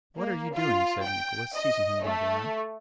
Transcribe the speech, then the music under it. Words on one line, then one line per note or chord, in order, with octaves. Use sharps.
'What are you doing?' said Nicholas, seizing him by the arm.
A#3
F4
G5
D#5
A3